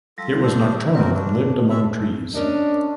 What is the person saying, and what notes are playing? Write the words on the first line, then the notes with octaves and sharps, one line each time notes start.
It was nocturnal and lived among trees.
F#3 G3 F4 A4
D4 A4 C5
C4 F#4 A#4 B4
D4
G#3 A4 E5
C#4 D4 A#4 D#5